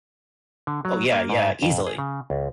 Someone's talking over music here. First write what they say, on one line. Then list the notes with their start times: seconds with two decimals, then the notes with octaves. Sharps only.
Oh yeah, yeah, easily.
0.67 D3
0.85 F#3
1.12 A#3
1.30 G#2
1.63 F2
1.87 G#4
1.98 C#3
2.30 C#2